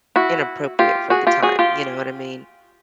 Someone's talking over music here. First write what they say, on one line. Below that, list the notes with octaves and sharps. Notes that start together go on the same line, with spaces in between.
inappropriate for the time. You know what I mean?
E4 F#4
F4 G4
F#4 G#4
F4 G4
F#4 G#4
F4 G4